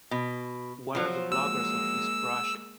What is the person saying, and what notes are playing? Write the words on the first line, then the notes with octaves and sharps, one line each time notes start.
What are the blockers of this project?
B2
F3 F#3 C5
G#3 A#3 E6